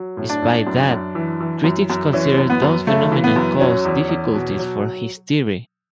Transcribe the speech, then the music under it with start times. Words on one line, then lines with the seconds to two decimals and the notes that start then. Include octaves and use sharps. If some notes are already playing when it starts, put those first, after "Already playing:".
Despite that, critics consider those phenomena caused difficulties for his theory.
Already playing: F#3
0.17 A2
0.30 D4
0.42 A2
0.67 F#2
0.90 F#2
1.15 E3
1.40 E3
1.64 F#2
1.90 F#2
2.13 E3 C#4
2.38 F#2
2.50 B3
2.62 F#2
2.87 C#3 A3
3.12 E3
3.24 B3
3.36 F#2
3.60 F#3 C#4
3.85 E2
4.09 E2
4.34 B2
4.59 F#3